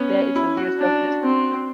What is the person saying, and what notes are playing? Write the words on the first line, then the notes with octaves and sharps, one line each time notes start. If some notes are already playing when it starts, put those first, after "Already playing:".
That is severe self-discipline.
Already playing: B3 C#4
E4
F#4
D4
C4